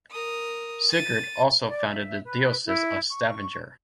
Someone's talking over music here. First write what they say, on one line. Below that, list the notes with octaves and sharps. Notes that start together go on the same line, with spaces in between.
Sigurd also founded the diocese of Stavanger.
A#4 D#6
A6 D#7
D5
E5
B4
E4
C#6